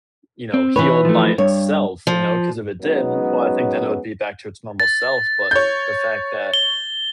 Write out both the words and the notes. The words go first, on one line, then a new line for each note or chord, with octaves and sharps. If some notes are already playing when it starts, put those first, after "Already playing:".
you know, healed by itself, you know, 'cause if it did, well, I think then it would be back to its normal self, but the fact that,
C4
E3 D#4 B4 C#5
F3 A3
G2 C#5
F3
F#3 G#3 B3 C#4 D#4
A6
C#5 G6
G7